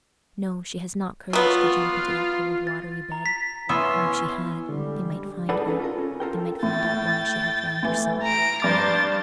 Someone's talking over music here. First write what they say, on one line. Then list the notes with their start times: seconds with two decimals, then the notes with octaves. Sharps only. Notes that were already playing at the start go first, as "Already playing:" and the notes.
No, she has not courage to jump into that cold watery bed, and if she had, they might find her--they might find out why she had drowned herself.
1.33 F#3 B3 F4
2.67 A6
3.12 A#5
3.26 B6
3.69 E3 B3 C#4 C#5 E5 C6
4.69 D3 G3 G#3
5.49 G#4 A4 B4 D5 F#5
5.67 C#4 D#4 A4 B4
5.79 F4 A4 A#4
5.98 C#4
6.20 F4 A4 A#4 G5
6.63 A2 G5 A6
7.83 A2 E3 A3
8.23 A#5 D7
8.62 G2 C5 D6 A6